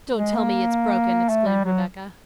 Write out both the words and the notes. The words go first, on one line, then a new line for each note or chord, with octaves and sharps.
"Don't tell me it's broken," exclaimed Rebecca.
G#3
A#3
A3
G3
F#3